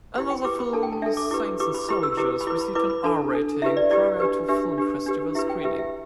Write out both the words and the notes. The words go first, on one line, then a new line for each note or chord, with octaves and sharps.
Another film, "Saints and Soldiers" received an R-rating prior to film festival screening.
E4 G4 B4 B5
G5
E4 G4 B4 D6
B5
D4 A4 A5
G5
A5
D4 A4 E5
D6
E4 G4 B4 D6
D6
E4 G4 B4 D6
B5
E4 G4 B4 B5
E6
E4 G4 B4 D6
B5
E4 B4 D6
B5
E4 B4 D6
B5
D4 A4 A5
D4 A4
E4 G4 B4 E5
D5
E4 G4 B4 D5
D4 G4 B4
D4 G4 B4 E5
D4 G4 B4
D4 G4 B4
E4 G4 B4 E5
G5
E4 G4 B4 E5
E5